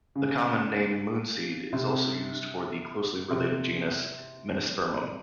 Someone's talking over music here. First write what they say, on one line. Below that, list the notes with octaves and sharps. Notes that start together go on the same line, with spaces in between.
The common name Moonseed is also used for the closely related genus "Menispermum".
C#3
C3
C3